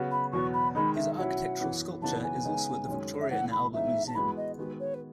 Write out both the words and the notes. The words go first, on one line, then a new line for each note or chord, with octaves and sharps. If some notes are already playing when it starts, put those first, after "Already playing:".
His architectural sculpture is also at the Victoria and Albert Museum.
Already playing: C#3 F#3 B3 F#4
B5
E2 B2 F#3 B3 C#6
B5
D#3 G#3 D#4 B5
E5
B2 F#3 C#4 E4 F#5
F#2 E3 B3
F#2 C#3 E3 B3 D#4 A5
G#5
C#3 G#3 B3 D#4
F#2 D#3 G#3 C#4
E5
C#3 E3 A3 F#5
B5
A2 E3 G#3 B3 D#4 E5
A5
E3 G#3 B3 F#4 B5
D#5
D#3 G#3 B3 F#4 B4
C#5
B4